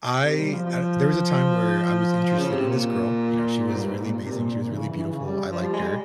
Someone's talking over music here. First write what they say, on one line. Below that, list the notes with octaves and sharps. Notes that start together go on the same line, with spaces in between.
I uh, there was a time where I was interested in this girl, you know, she was really amazing, she was really beautiful, I liked her.
C3
G3
F3
F3
C#3
C3
A#2
G#2
G2
G#2
A#2
C3
A#2
A#2
C3
E3
C#3
E3
E3
C#3
G3
F3
G3
G#3
G3